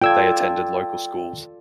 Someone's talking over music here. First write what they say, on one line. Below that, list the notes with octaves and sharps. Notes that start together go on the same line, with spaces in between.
They attended local schools.
F4 A4 D5 G5 E6 G#6